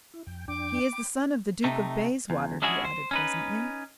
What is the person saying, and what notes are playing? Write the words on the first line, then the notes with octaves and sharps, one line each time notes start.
"He is the son of the Duke of Bayswater," he added presently.
E4
F2 G5
F2 D4 G5 D6
G5 B5
C3 A3 D#4
E2
G#3 C#4 D4 E4 F#4 G#4
C5
C#4 D#4 B4